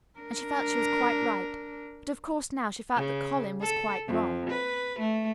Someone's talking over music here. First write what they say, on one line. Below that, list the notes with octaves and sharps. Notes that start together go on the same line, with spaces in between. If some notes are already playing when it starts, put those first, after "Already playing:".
And she felt she was quite right; but of course now she felt that Colin was quite wrong.
D4 A#4
C#3
A4
F2
B4
A3